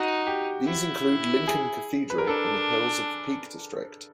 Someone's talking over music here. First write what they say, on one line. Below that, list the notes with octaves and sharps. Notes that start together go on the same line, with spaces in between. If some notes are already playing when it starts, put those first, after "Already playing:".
These include Lincoln Cathedral and the hills of the Peak District.
Already playing: D#4 F#4
G4
E4
G#4
B4
A#4
D4 A4